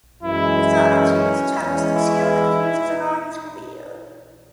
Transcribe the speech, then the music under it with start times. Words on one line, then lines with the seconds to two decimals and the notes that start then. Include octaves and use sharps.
Besides, he was cellist, a skill that he uses along his career.
0.23 F#2 E3 G#3 E4
0.91 C#4
1.60 E2 E3 G#3 C#4
1.94 E4
2.63 E4